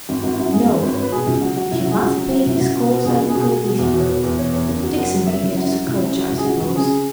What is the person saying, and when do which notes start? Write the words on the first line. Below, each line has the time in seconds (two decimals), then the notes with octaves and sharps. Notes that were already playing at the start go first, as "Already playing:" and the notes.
No; if you must pay these calls, I will go with you. Dixon can get us a coach, I suppose?'
0.09 G#1
0.23 G#1 F#4
0.32 E4
0.38 F#2 F#4
0.53 G#1 G#4
0.68 G#1
0.82 G#1 B4
0.93 C#5
0.98 G#1 B4
1.12 B2 G#4
1.27 C#2
1.41 F#3 F#4
1.57 F#3 F#4
1.72 C#2 E4
1.81 F#4
1.86 C#2
1.91 G#4
2.01 C#2 F#4
2.17 F#3
2.31 F#3 E4
2.46 C#2
2.56 E4
2.60 C#2 F#4
2.76 B2
2.90 B2 F#4
3.05 C#2 G#4
3.17 C#2 B4
3.29 G#4
3.35 B2
3.49 B2
3.64 B2
3.79 E2 F#4
3.94 B2
4.00 C#5
4.09 E1 B4
4.24 E2
4.38 E1 C#5
4.53 E2
4.68 F#1
4.83 F#3
4.97 F#1 F#5
5.13 F#3
5.27 F#1 E5
5.43 F#1
5.51 E4
5.57 F#2 F#4
5.72 F#3
5.86 C#2 E4
6.01 C#3
6.17 F#3
6.31 C#2
6.38 G#4
6.46 C#2 F#4
6.61 C#2
6.76 C#3 G#4